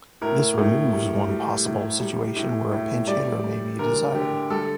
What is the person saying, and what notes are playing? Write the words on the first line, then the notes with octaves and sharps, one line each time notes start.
This removes one possible situation where a pinch hitter may be desired.
A2 A#4
A2
G3
G3
A2
G3
A2
A2
G3 D5
G3
D2 A#4
D3 G4
G3 A4